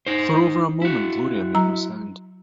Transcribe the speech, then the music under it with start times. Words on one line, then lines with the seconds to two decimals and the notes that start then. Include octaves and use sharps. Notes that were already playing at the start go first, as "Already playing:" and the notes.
For over a moment Gloria made no sound.
0.06 D#4 C5
0.82 E4 F#4
1.55 F#3 A#5